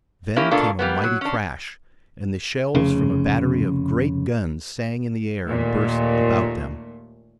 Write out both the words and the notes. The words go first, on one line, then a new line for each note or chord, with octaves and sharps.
Then came a mighty crash and the shells from a battery of great guns sang in the air and burst about them.
A#3 C#4 E4 G4 A#4
B2 A3 A#3 D4 F4 A4
G3 A#3 B3
F#3
C#4 D4
F1 C#3
D#2 A#2 A3